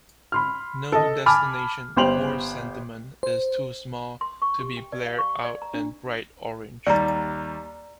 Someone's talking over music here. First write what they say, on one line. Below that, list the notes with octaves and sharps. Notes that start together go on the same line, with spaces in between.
No destination or sentiment is too small to be blared out in bright orange.
B5 C6 F6
A4 D#5
G#5 A5 B5 D6 F6
G1 G3 C5 G5 F7 F#7
C5
C6
C#6
G4
G5
D5
F5
C#6
D5
A#5
D4
D#2 G3 D5 A#5